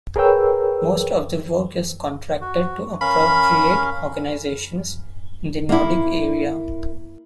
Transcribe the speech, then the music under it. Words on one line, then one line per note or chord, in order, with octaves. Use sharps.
Most of the work is contracted to appropriate organisations in the Nordic area.
G#4 A#4 B4 C#5 G5 E6
F#4
C#4 A#4 F5 B5
A#3 E4